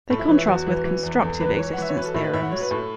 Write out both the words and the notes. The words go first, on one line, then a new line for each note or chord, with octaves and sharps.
They contrast with "constructive" existence theorems.
A2 A4
E4
E3 C#4
E4
E2 F#4
E3
E3
E2
E2 A4
E3 B4
E3 C#5
F#5
E3 E5
C#5
F#3 B4
A4
A2 E4
B4
A2 E5
F#5
F#3 C#5
B4
A2 A4